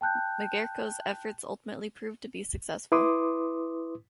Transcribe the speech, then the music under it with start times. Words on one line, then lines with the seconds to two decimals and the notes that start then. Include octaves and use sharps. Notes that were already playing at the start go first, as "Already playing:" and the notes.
Magerko's efforts ultimately proved to be successful.
0.01 G5 A5 F#6 G6
2.92 E4 B4 C6 D6 D#6